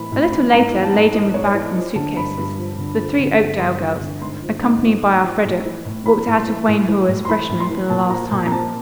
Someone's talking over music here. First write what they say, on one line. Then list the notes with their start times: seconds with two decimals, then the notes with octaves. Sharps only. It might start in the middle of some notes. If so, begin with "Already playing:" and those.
A little later, laden with bags and suit cases, the three Oakdale girls, accompanied by Elfreda, walked out of Wayne Hall as freshmen for the last time.
Already playing: A2 E3 B5
0.12 A2
0.22 B5
0.32 E3
0.52 G#2 A#5
0.73 E3
0.84 A5
0.93 G#2
1.14 E3 D#5
1.34 G#2 C#5
1.45 D5
1.55 E3
1.76 F3 D#5
1.96 D3 A5
2.17 G2 B5
2.37 G2
2.58 F3
2.78 D3
2.99 F3
3.18 D3
3.39 G2
3.60 G2 C6
3.80 F3
4.01 D3
4.22 G#2 C6
4.42 F3
4.63 G#2
4.83 F3
5.03 G#2
5.24 F3
5.45 A2
5.65 E3
5.85 A2
6.06 E3 B5
6.27 A2
6.36 C6
6.47 E3
6.68 A2
6.88 E3
7.08 A2
7.25 C6
7.29 E3 B5
7.49 A2
7.60 C6
7.70 E3
7.90 A#2 A5
8.10 F3 A#5
8.31 A#2 A#5
8.47 A#5
8.52 F3 A5